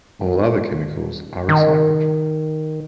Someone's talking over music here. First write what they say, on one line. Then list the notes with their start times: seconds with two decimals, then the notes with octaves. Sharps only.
All other chemicals are recycled.
1.49 D#3